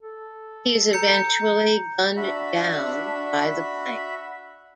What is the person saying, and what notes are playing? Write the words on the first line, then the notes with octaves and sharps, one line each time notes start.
He is eventually gunned down by The Blank.
A4
A#5 G6 C#7
D4 F#4 E5 B5